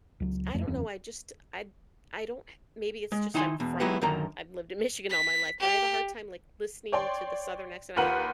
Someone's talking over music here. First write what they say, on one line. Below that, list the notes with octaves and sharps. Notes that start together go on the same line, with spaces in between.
I don't know, I just I I don't maybe it's just I'm from I'm I've lived in Michigan all my life, but I have a hard time, like, listening to the southern accent. I
C#2 F#3
F2 F3 A3
F#1 E2 C4 C#4
G#3
D#3 D#4 E4 G#5 C6
E2 B2
F#3 G#3 B3 E4 F#4 G4
F#2 D3 D#3 A#4 A#5
B6
G4
C#5 D5 G5 C6
D#2 F4 A#4 B4 F#5 F#7